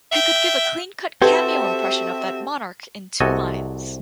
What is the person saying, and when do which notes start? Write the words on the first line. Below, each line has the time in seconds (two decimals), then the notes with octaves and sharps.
He could give a clean-cut cameo impression of that monarch in two lines.
0.12 E5 G5
1.22 C4 F#4 G4 A4 B4 C5 E5
3.20 C2 C3 F#4 A4 D#5 G#5